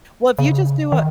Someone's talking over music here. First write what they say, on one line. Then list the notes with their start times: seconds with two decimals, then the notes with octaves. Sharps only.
Well, if you just do a
0.39 C#3
0.92 D#3